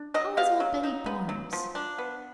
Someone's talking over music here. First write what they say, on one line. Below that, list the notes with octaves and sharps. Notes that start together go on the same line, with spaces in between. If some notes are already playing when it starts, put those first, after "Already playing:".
'How is old Betty Barnes?'
Already playing: D4
F#3 D#5
B2 F5
F#3
D#4
B3
F#3
F3
D4
B3